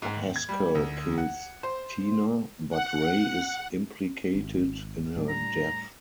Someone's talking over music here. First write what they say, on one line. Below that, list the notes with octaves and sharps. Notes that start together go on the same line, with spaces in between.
Haskell kills Tina, but Ray is implicated in her death.
G#2
D#2
G#6
G3
D2
F#5
C5
F#5
G#1
A2 G3 D4
A#5